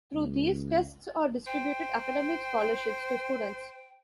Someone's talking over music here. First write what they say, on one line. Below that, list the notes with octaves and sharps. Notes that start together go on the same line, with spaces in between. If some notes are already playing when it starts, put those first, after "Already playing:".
Through these tests are distributed academic scholarships to students.
C#2
C5 G5